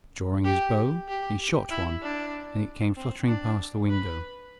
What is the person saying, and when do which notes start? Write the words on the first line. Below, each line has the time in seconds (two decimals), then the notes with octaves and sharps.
Drawing his bow, he shot one, and it came fluttering past the window.
0.44 G4
1.08 G4
1.70 E4
2.02 D4
2.96 C4
3.27 D4
3.89 B4